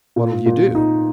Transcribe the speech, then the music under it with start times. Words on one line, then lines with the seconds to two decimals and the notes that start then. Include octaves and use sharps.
"What'll you do?"
0.16 A#2
0.46 A#2
0.75 D#4